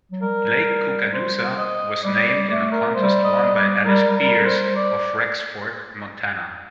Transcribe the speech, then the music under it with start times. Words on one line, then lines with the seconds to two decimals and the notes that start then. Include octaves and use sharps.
Lake Koocanusa was named in a contest won by Alice Beers of Rexford, Montana.
0.11 F#3
0.22 G3 A#4
1.13 C5
1.58 D#5
2.03 G3 D5
2.26 D5
2.48 A3 D5
2.72 A#4
2.94 G3 C5
3.24 D#5
3.55 D5
3.85 G3 A#4
4.16 G3 A#4
4.45 G3 C5
4.76 D5